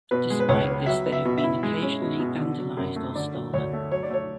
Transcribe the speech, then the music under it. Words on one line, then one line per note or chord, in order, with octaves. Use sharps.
Despite this they have been occasionally vandalised or stolen.
B2 B4
G#3
B4
C#2 C#5
B3
F#3 E5
B3
E5
B2
E5
E4
G#3
C#4
B2
B2
D3
F#3
F#2
A3
D3 D5
F#3
D2 C#5
A3
F#3 C#5
D5
A3 C#5